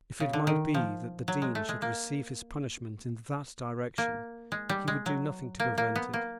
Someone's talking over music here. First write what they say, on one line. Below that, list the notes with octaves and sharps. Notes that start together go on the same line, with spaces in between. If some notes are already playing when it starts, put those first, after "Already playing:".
If it might be that the Dean should receive his punishment in that direction he would do nothing to prevent it.
C#3
D3
D#3
F3
F#3
G#3
A3
G#3
A#3
A#3
G#3
G3
G#3
F#3
A#3
A#3
B3
A#3